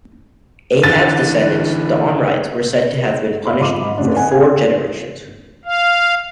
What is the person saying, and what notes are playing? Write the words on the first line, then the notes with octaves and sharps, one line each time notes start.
Ahab's descendants, the Omrides, were said to have been punished for four generations.
D3 E3 A6
E5 F5 B5 C6
G#2 F4 B5 C6 D6 D#7
G#2
F2 A2 D3 C#4 D4
D#5 F#5 G#5
F5 G5 G#5 G#6
F5